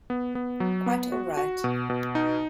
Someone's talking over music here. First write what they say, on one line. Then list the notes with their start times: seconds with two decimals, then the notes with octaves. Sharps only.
Quite all right.
0.10 B3
0.35 B3
0.60 F#3
0.86 B3
1.12 F#4
1.37 F#4
1.64 B2
1.90 B2
2.15 D#4